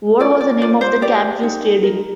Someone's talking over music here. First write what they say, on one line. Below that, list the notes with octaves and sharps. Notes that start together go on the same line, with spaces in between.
What was the name of the camp you stayed in?
F4 D5
D5
F4 D5
C5
G4 D5
D#4
A#4